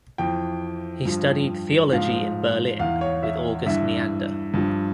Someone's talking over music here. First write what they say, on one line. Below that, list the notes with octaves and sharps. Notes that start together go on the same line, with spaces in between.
He studied theology in Berlin with August Neander.
F2 E3 G5
G2 F3
G#2 F3 F5
E2 E3 F5
C#5
E5
G2 E3 E5
G2 F3